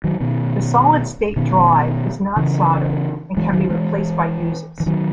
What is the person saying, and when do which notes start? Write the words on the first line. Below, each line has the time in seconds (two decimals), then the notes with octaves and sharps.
The solid state drive is not soldered and can be replaced by users.
0.04 D#3 F#3
0.21 B2 D#3
1.36 B2 D#3
2.36 C#3 E3
3.37 E3 G#3
3.53 D#3 F#3
3.69 E3 G#3
4.80 E3
4.86 D#3 F#3